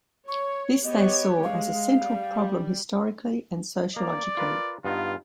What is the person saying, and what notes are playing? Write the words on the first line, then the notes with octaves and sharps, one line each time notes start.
This they saw as a central problem historically and sociologically.
C#5 C#6
B3 G4 C#5 D#5
G#3 F5
G3
A#3 D5
F4 A#4 B4
G2 B3 D#4 F4